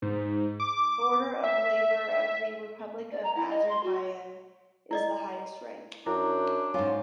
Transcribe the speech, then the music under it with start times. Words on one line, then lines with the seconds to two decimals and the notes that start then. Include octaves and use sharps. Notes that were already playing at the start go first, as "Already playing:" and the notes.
The Order of Labor of the Republic of Azerbaijan is the highest rank.
0.02 G#2
0.60 D6
1.44 E5
3.12 D5
3.24 A#5
3.36 E4
3.51 D#5
3.69 C6
3.83 F#4
4.91 E4 D5 D#5
6.06 F#2 D4 E4
6.74 G#2 C#4 F4